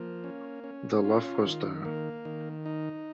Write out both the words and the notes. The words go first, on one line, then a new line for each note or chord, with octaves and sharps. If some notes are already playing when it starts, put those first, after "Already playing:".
The love was there.
Already playing: F3 A#3
C#4
C#4
F4
D#3
A#3
D#3
D#4